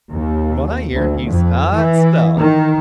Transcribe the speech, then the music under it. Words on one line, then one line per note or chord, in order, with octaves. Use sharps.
"From what I hear, he's hot stuff!"
D#2
D2
F2
E3
D#3